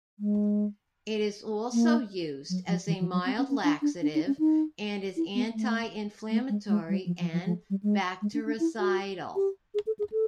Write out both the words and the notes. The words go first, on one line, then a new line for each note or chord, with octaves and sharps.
It is also used as a mild laxative and is anti-inflammatory and bactericidal.
G#3
A#3
F#3
F3
E3
F3
F#3
C4
C#4
C#4
D4
D4
D4
D#4
C#4
D#4
E4
B3
A3
A3
G#3
G#3
G3
F3
F3
F3
F3
G3
G#3
G#3
D4
D4
E4
F#4
G4
G#4
A4
G#4
A4